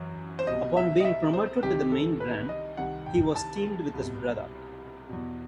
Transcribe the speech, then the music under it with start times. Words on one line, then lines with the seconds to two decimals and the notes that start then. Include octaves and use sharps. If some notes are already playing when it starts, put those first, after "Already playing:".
Upon being promoted to the main brand, he was teamed with his brother.
Already playing: F#2 E3
0.39 C5
0.47 C2 B2 D#5
0.77 E5
1.00 D#5
1.05 E5
1.33 C5
1.63 C2 C3 D#3 G4
1.92 A4
2.20 B4
2.49 D#5
2.77 C2 C3 D#3 F#5
3.06 G5
3.36 A5
3.94 C2 B2
5.09 E2 B2